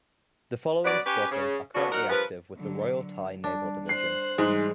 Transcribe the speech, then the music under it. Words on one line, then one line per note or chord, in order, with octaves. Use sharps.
The following squadrons are currently active with the Royal Thai Naval Division.
F#2 F#3 B3 B4 D5
C#4 G4 B4
C#3
B2 F3 B3 C#4 D4 F#4
F#3 D#4 A#4 F#5
G2 F3 A#4 B4
D3 F#3
G3 D4
C5 F#6 C7
G#2 E3 G3 G#3 G#4